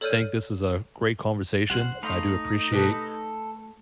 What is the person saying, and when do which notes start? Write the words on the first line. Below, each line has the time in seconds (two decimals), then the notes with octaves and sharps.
think this was a great conversation. I do appreciate
0.01 A4 C#5 D5 F6 G6 D#7
1.70 C2 G3 C5 F#5 F6
2.03 A3 D#4 F5 B5 C6 G6 A#6
2.72 B2 G4 A4 B4